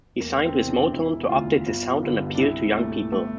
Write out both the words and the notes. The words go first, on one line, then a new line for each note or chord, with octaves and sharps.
He signed with Motown to update his sound and appeal to young people.
E1 A#3
C4
E2 C3 E3
D4
E1 E4
D2 D3 F4
G1 F4
G2 D3
D4
C2 E4
A#2 A3
G1 A3